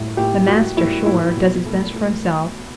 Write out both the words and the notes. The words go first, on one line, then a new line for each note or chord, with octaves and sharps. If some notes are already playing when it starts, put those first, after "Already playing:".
The master, sure, does his best for himself!
Already playing: A2 G3
A2 G4
G3 F#4
G3 E4
A2 E4
B2
A3
A3